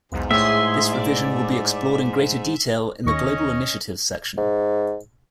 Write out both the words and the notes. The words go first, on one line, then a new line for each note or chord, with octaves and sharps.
This revision will be explored in greater detail in the "Global Initiatives" section.
B1 E2 G#2
A2 G#4 E5 C6
D5
D#2 C#4 D#5 C#6 A#6
G#2